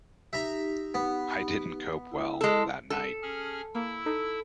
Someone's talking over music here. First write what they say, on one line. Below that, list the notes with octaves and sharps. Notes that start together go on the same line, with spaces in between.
I didn't cope well that night.
D#4 G4 E5 A#5
B3
E4
G#3 A4
A4
C#4 G#4 F6
A#3 E4 E6
D#4 A4